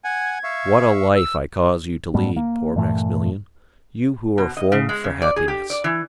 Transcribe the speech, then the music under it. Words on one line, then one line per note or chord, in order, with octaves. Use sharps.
What a life I cause you to lead, poor Maximilian, you who are formed for happiness!
F#5 G#5 G#6
E5 F5 C#6
E6
G#2 G3 A3 B3
A#3
G2 A#2 E3 A3
B2
D#5
C#3
G#3
C#3
D5
G#4
G4
D5
E3